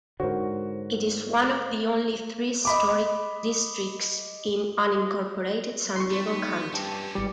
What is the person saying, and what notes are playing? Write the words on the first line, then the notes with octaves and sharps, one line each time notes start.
It is one of only three historic districts in unincorporated San Diego County.
G#2 D3 F#4 A#4 C5 C#5
D#5 B5 D6
E1 G3 C6 C#6
A3
D#2 B3
G2 C4 C#4 G4 A5
G#1 E2 G3 D6